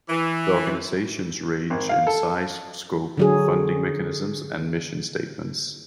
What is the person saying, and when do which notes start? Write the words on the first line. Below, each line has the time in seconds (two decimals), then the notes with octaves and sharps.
The organizations range in size, scope, funding mechanisms, and mission statements.
0.10 E3
1.70 G#1
1.89 F5
2.07 A4
3.17 D3 F#3 G#4